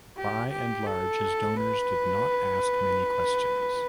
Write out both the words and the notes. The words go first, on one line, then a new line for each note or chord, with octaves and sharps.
By and large his donors did not ask many questions.
G4
G4
A4
B4